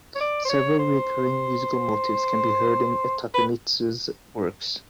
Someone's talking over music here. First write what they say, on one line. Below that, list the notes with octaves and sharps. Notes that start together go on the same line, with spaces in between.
Several recurring musical motives can be heard in Takemitsu's works.
C#5
D5
C5
C#5
C5
B4